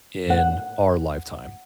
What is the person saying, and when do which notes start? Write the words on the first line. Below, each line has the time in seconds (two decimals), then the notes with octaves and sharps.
in our lifetime?
0.30 F#5